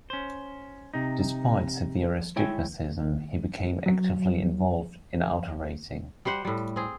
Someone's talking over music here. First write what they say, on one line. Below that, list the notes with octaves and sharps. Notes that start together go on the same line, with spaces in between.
Despite severe astigmatism, he became actively involved in auto racing.
C#4 C5
C3 D#4
G#3 E4 C#5 E5 G5 G#5
F#3
G3 G4 C5 F#5
A2 G3
C4 G#4